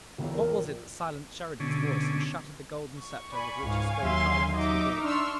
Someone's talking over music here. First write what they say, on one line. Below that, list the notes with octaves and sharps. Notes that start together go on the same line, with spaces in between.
What was it that silenced Sheridan's voice and shattered the golden sceptre with which he swayed parliaments and courts?
E1 B1 E2
A#4
A#1
B2 D3 C#4
C#6
D5 G#5 B5
C#2 G#2 F5 G#5
D#2 F#3 E5 C6
D#4 D#5 E5 D6
D4 C6 C#6 E6 F6